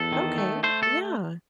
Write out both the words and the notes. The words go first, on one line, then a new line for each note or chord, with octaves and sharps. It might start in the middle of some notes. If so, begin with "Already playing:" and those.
Okay, yeah.
Already playing: E2 A4
D#3
A3
A3 C5
A4